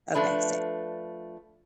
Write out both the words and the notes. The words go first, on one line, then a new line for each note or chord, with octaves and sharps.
Okay, same.
F3 A3 D4 B4